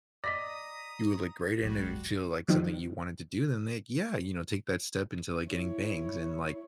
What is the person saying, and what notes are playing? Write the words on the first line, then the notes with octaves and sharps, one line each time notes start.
you would look great in, if you feel like something you wanted to do, then, like, yeah, you know, take that step into, like, getting bangs." And, like,
D5 D#5 A#5 D#6 A#6 B6
E1 B1 G3 G#3 F#4
D#3 F3 G3 C4 D#4
E4 C#5